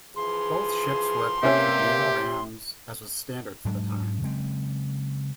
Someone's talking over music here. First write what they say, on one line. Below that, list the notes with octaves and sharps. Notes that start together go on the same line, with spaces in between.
Both ships were equipped with naval rams as was standard for the time.
E3 F3 G#4 C6
G2 C3 A#3 C#4 G4 E5
G#2 F#3 G#3 D4
C#3 F#3 G#3 C4